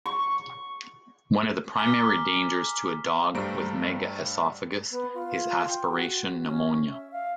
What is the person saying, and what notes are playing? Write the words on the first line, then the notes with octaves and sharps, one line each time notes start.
One of the primary dangers to a dog with megaesophagus is aspiration pneumonia.
C#6
G#5 A#5 D6 F6 B6 G7
G2 G3 A3 C5 A#5 D7
B3
F4
G5
F#4
C#4
E5
F5